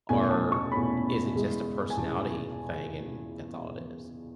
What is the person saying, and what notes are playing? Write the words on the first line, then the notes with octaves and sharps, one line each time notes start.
or is it just a personality thing and that's all it is?
E2 B2 A3 C#4 G#5
A5
C#6
E2 B2 A3 C#4 B5
E2 C#3 G#3
G#5
E2 C#3 G#3 A5